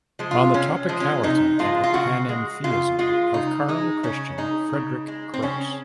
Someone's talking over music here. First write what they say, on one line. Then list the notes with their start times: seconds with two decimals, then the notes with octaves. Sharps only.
On the topicality of the panentheism of Karl Christian Friedrich Krause.
0.19 F3 G#3
0.31 F4
0.54 C3 C#4
0.89 F3 G#3
1.00 C#4
1.23 C3 D#4
1.59 F3 G#3 F4
1.84 F4
1.93 C#3 F#4
2.29 G#3
2.64 C#3 F4
2.99 G#3 F4
3.34 C#3 D#4
3.69 G#3 D#4
4.03 C#3 C#4
4.38 G#3 D#4
4.73 C#3
5.08 G#3
5.34 C4
5.42 C#3 C#4